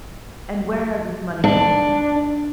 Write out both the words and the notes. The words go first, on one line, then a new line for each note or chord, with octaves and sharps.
"And where has this money gone?"
D4